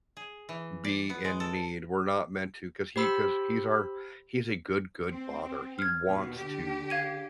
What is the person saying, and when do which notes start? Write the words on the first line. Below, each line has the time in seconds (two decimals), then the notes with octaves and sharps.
be in need, we're not meant to 'cause he 'cause he's our he's a good, good Father. He wants to
0.17 G#4
0.49 E3
0.84 D5
1.10 B3
1.25 G#3
1.40 A4
2.96 G4 C5 B5 E6
5.10 C4
5.79 F6 G#6
6.07 D#2 B2
6.39 D3 G4
6.90 F5 G#6 D#7